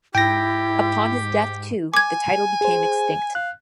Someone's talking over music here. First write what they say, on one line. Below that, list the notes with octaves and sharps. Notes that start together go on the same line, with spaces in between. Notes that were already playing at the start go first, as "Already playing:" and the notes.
Upon his death, too, the title became extinct.
G#2 E4 G4 G5 A#6
G#5 D6 G#6
G#4 C5
F5 F#6